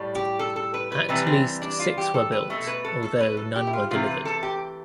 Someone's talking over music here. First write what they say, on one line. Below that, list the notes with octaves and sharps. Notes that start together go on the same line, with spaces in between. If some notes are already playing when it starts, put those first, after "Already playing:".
At least six were built, although none were delivered.
Already playing: A2 G3
G4
A4
A4
B4
B4
C3 E3 G3 B4
C4
D4
F4
G4
A4
B4
B2 A3 A4
B4
A4
A4
B4
A4
G4
E4
F4
C3 E3 A3 F4
B4
A4
G4